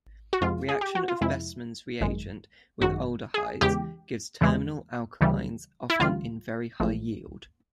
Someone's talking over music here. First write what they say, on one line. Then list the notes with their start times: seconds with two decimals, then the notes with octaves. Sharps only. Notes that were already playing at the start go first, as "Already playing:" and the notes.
Reaction of Bestmann's reagent with aldehydes gives terminal alkynes often in very high yield.
0.33 F#4
0.41 F2 C3 F3 G#3 F4
0.69 G#4
0.81 G4
0.95 F#4
1.08 F4
1.21 F2 C3 F3 G#3 E4
2.01 G#1 F#2 D#3 G#3
2.81 G#1 F#2 D#3 G#3 F#4
3.34 G#4
3.61 E2 C#3 E3 G#3 G4
4.41 E2 C#3 E3 G#3
5.21 D2 C#3 E3 G3
5.90 E4
6.00 D2 C#3 E3 G3 F4
6.80 A1 A2 F3 G#3